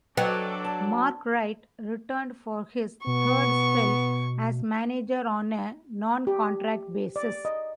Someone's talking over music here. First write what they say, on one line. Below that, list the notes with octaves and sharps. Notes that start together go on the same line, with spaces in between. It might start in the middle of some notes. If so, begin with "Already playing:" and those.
Mark Wright returned for his third spell as manager on a non-contract basis.
F#3 D4 A4 B4 D5 D#5 G5
A5
B2 B3 C#6
G4
D5
D#5